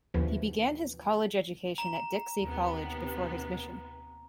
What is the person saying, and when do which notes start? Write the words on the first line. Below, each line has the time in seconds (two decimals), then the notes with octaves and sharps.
He began his college education at Dixie College before his mission.
0.14 D#2 B2 D3 E3 F3
1.78 A#5
2.41 D#2 C3 B3